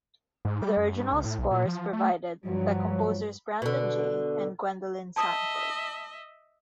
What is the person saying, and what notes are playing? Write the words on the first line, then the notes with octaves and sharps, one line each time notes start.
The original score is provided by composers Brandon Jay and Gwendolyn Sanford.
G#2
G3
F#2
G2
C#2
A2
B1
A#2
F3
A3
G2 F3 F#3
B2 D3
D#5 E5 A5 D#6